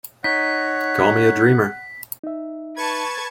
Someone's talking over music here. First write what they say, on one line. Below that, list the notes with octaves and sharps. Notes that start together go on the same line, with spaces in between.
Call me a dreamer.
D#4 C#5 F#5 B6
D#4 E5
B4 A5 C#6 G#6